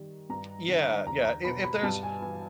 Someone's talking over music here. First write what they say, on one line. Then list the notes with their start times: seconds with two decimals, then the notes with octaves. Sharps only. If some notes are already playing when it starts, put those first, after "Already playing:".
Yeah, yeah. If if there's
Already playing: D#3 G3
0.29 G2 A#5
0.68 D3
1.06 E2 A#5
1.25 A#5
1.44 B2 B5
1.64 B5
1.83 G2 A5
2.03 G#5
2.22 E3 G#5